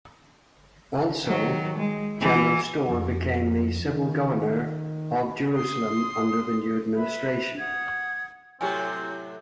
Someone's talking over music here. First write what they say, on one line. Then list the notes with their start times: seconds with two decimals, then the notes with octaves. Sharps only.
Also, General Storr became the civil governor of Jerusalem under the new administration.
1.26 D#3 F#3
1.77 G#3
2.17 E3 E4
2.88 F2
3.86 D#3
5.52 C6 D#6
6.95 B4 E5 B5
7.57 F#5 D#6 G#6
8.61 A2 C3 F#3 C4 G4 G5 G#5